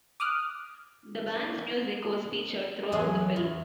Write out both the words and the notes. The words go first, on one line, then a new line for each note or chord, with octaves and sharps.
The band's music was featured throughout the film.
D6 D#6 F6 F#6
A#3
E2 F#3 G#4
E2